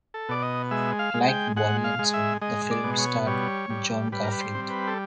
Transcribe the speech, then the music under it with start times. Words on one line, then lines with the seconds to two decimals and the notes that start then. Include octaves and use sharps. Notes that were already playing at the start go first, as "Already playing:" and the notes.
Like "Body and Soul", the film starred John Garfield.
0.14 A4
0.29 B2 D5
0.42 D#5
0.71 G#3 E5
0.99 F5
1.14 G#3
1.28 G5
1.56 G#3 F#5
1.84 F5
1.99 G#3
2.14 E5
2.41 G#3 D#5
2.71 D5
2.84 B2
2.99 C#5
3.27 G3 C#5
3.70 G3
4.12 G3 B4
4.23 A#4
4.32 B4
4.41 C5
4.55 C4
4.70 B4
4.87 A4